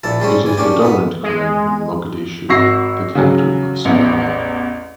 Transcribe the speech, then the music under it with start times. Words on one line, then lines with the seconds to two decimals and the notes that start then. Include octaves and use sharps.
It is the dominant clan in Mogadishu, the capital of Somalia.
0.03 A#1 A#2 E4 A5
0.20 G3 G#3 C4 C#4
0.43 E2 G#5
0.57 A#3 C#4 D4 G4
0.82 B3 D#4
1.23 G#3
2.49 G#1 F#4 C#6 E6 A#6 C7
3.15 C#3 F#3
3.85 A1 E2